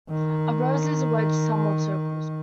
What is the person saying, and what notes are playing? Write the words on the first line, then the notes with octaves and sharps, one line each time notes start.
A rose is a wedge sum of circles.
D#3